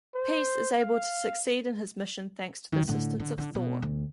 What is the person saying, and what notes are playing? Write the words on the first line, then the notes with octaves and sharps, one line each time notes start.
Peace is able to succeed in his mission thanks to the assistance of Thor.
C5
F5
F1 D#3
A2 D3
D3
D3
B2
D2